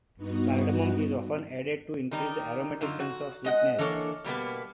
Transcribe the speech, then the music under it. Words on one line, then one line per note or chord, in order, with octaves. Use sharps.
Cardamom is often added to increase the aromatic sense of sweetness.
G2 B3 D#4 F#4
D#3 G3 D#4
F#2 D3 D#4 F4
F#4
G#3 D#5 F#5
E3 A#3 D4 A4 C#5
B2 G3 A#3 B3